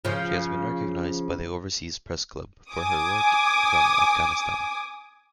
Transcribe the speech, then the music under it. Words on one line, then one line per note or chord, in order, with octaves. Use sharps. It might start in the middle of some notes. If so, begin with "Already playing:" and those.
She has been recognized by the Overseas Press Club for her work from Afghanistan.
C#3 F3
G#5 D6 D#6